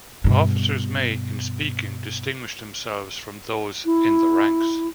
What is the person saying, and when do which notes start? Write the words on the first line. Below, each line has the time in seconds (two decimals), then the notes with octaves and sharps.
Officers may, in speaking, distinguish themselves from those "in the ranks".
0.24 G2 B2
3.85 E4